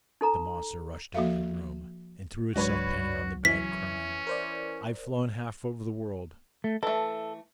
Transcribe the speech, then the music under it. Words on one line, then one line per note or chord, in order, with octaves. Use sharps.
The monster rushed into the room, and threw itself panting on the bed, crying: 'I've flown half over the world.
D#4 A4 A#5
F3 A#3 F#4 A4 E5 F5
C#2 G#2 F#3 D4 F#4 B4 C#5
E3 C#4 B6
A#4 C5 D5
A3
E3 A3 A4